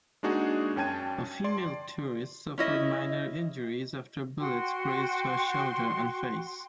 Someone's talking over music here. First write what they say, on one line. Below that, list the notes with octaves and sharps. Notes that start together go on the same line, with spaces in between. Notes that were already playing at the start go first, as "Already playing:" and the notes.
A female tourist suffered minor injuries after bullets grazed her shoulder and face.
G#3 A#3 D4 D#4 F#4 G#4
F#2 C#4 G5 A5 G#6 D#7
D5 C6
C#4 E4 D#5
F#4 G5 C6